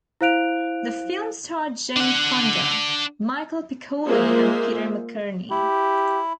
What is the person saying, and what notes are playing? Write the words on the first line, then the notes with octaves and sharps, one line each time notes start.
The film starred Jane Fonda, Michel Piccoli and Peter McEnery.
E4 C5 F5 F#6 D7 F7
D4 F#5
G#3 A#3 F4 G#4 C5 E5
E4 G4